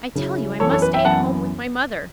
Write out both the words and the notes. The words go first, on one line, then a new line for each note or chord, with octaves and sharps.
I tell you, I must stay at home with my mother.
C#3 F#3 C#4 E4
F#2 E3 B3 A4 C#5
A4 C#5
B4
E5 G5
F#2 E3 B3 F#5 A5